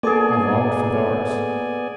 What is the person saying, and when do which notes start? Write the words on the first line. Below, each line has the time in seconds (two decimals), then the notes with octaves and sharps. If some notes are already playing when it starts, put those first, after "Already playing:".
I longed for the arts.
0.03 A#3 B3 G#4 A4 D5 G#5 A5 D6